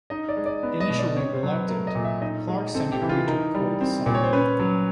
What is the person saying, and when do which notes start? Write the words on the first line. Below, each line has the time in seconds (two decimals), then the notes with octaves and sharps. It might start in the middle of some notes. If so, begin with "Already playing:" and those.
Initially reluctant, Clarkson agreed to record the song.
0.10 D#4 D#5
0.29 D5
0.37 G#3
0.46 D5
0.63 B3
0.80 D#5
0.90 B2
0.99 D5
1.16 C4 C#5
1.33 C5
1.43 F#3
1.52 B4
1.68 A3 A#4
1.87 D#5
1.95 A#2
2.04 E5
2.22 D#4 D#5
2.48 G#3
2.75 C4 A4
2.92 G4
3.02 E3
3.09 F4
3.27 D#4 A#4
3.55 G3
3.81 C4
4.06 A#2
4.14 C#5
4.23 C5
4.33 C#4 B4
4.59 F#3